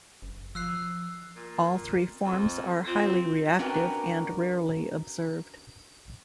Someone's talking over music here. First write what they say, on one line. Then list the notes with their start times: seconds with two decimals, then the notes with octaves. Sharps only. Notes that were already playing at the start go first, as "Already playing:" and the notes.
All three forms are highly reactive and rarely observed.
0.22 F#1
0.55 F3 E6 F#6 C7
1.36 A#2
2.24 F2
2.87 C4 F4
3.59 C#4 D4 F#4 A#4 B4 G5